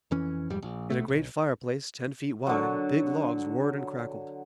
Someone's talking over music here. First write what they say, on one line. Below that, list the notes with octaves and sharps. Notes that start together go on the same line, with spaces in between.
In a great fireplace ten feet wide big logs roared and crackled.
F2 E3 C#4
F1 F2 G#2 G3
A#1
A#1 D#2 B2 A3
B1
D3 F#3